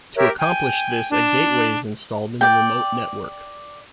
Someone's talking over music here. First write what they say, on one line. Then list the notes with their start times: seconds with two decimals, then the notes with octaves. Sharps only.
To accomplish this a gateway is installed in the remote network.
0.17 G4 A#4 C#5 E5
0.37 G5 G#5
1.10 D4
2.41 D5 G5